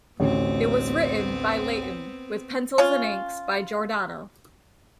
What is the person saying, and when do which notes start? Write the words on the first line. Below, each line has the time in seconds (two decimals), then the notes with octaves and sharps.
It was written by Layton with pencils and inks by Giordano.
0.20 A1 D2 B3 C4
2.78 C#4 F4